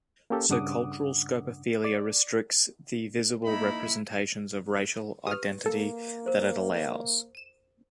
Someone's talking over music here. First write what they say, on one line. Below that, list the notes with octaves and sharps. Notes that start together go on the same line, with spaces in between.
So cultural scopophilia restricts the visible representations of racial identity that it allows.
A#3 C#4 G4 A4
G2 C#3 D4 F#5 D6 D#6
D5
A#3 D#4 E4 B5
G4 B4 D#6 F6
A#3 A4
A#4 C5
D#7 E7